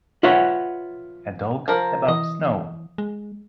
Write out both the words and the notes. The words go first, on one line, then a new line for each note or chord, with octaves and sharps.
A dog above snow.
F4 B4 C#5 E5 F#5
F3 A#4
E3 D#5
G#3